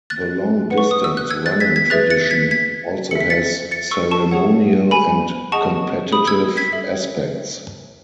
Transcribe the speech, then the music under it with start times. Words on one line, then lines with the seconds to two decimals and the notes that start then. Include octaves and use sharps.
The long-distance running tradition also has ceremonial and competitive aspects.
0.10 F#6 A6
0.70 B4 F#5
0.78 C#6
0.91 D#6
1.04 E6
1.17 F#6
1.30 E6 G#6
1.46 F#6 A6
1.60 G#6 B6
1.76 G#6 B6
1.90 G#4 B4 E5 F#6 A6
2.10 A6 C#7
2.31 G#6 B6
2.51 G#6 B6
3.11 A4 E5 C#7
3.20 B6
3.30 A6 C#7
3.71 A6 C#7
3.91 C#6 E6
4.11 A5 C#6
4.31 G#4 C#5 F#5
4.91 G#5 B5
5.52 G#4 D#5 F#5 A5 C#6
6.12 B5 D#6
6.27 E6 G#6
6.57 G#6 B6
6.72 A4 E5